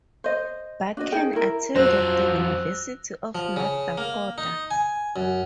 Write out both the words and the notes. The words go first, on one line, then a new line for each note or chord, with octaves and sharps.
Bakken attended the University of North Dakota.
C5 D#5
D4 F#4 D#5
D#4 G#4 G5
E4 A#4
F2 F3 F#3 C5 E6 F#6 A#6
F3
C#3
A#3
D#4
G#5
F#2